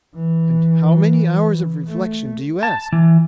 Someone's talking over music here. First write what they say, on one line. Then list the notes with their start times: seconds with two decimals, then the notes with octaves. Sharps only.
"And how many hours of reflection do you ask?"
0.15 E3
1.88 A3
2.63 A5
2.92 E3